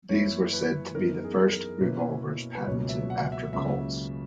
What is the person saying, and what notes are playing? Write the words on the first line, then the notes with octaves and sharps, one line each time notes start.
These were said to be the first revolvers patented after Colt's.
F#2 E3 A#3 E4 C#5
B4
F#2 E3 B3 D#4 A#4
G#4
A#4
B2 A#3 C#4 E4 B4
B4
C#2 B2 F#3 A#3 C#4 C#5
E5
F#5
E5
C#2 C#3 F#3 A#3 C#4 E5